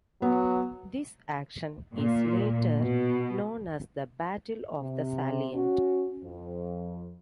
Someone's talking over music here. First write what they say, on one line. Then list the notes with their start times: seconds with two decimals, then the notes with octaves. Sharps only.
This action is later known as the Battle of the Salient.
0.22 F#3 B3
1.95 A#2
2.79 B2
4.82 C3
5.54 C#4 F#4
6.23 F2